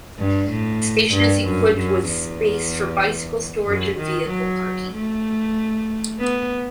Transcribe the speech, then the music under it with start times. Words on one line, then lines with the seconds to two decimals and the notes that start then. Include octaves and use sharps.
The station is equipped with space for bicycle storage and vehicle parking.
0.19 G2
0.50 A2
1.13 G2
1.45 F#2
1.77 F#2
2.08 E2
3.67 F#2
3.98 D#3
4.29 F#3
4.93 A3
6.19 B3